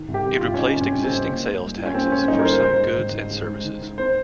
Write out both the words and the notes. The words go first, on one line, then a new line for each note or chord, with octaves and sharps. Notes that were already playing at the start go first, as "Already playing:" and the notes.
It replaced existing sales taxes for some goods and services.
Already playing: D#3
C2
G4
C3
F4
C2
C#4
D#3 D#4
C2 C#4
C3
C4
C2
A#3
G#2
G3
F4
C#4
A#3 C4
G#2 C#4
G3 D#4
A#4
F4 C5
G#3 C5
G#2
D#3
D#4
G#3
G#2
D#3
D#4
C4 C5